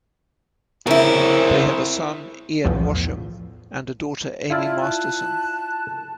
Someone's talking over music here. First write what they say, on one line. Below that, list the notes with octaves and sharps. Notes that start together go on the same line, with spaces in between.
They have a son, Ian Washam, and a daughter, Amy Masterson.
C#3 C4 E4 A#4
B1 E2 A2 F3
E4 F4 D5 A5
A5 F#6